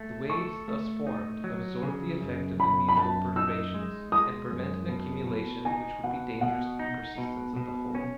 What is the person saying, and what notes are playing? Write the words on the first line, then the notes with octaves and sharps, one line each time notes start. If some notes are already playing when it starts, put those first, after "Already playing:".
The waves thus formed absorb the effect of the mutual perturbations, and prevent an accumulation which would be dangerous to the persistence of the whole.
Already playing: A3
A4 C#6
A3
D#4
F#3
C#3
F#2
F#2 B5
B5
F#2 A5
D#4 E6
G#3
G#3 D#6
F#2
B2
B2
D#4 G#5
B2 F#5
B2 F#5
D#4
B2
B2
C#4